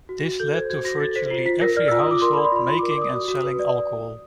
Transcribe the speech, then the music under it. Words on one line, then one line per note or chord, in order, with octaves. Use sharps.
This led to virtually every household making and selling alcohol.
F#4
F#4
A4 G6
C5 G#6
F#4 G#6
F#4 A#6
A4 A6
C5 B6
F4 C7
F4 B6
A#4 A#6
D5 F6
F4 E6
D#6
F4 D6
A#4 C6
D5 B5
C6
F4 B5
F4 C6
D6
A#4
D6
D5 D#6
F#4
F#4
B4
D5